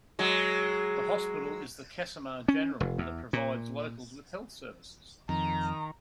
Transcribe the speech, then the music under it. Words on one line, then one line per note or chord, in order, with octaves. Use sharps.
The hospital is the Kasama General that provides locals with health services.
F#3 G#3
C#4
F1
E2
A#2
F2 D#3 A#5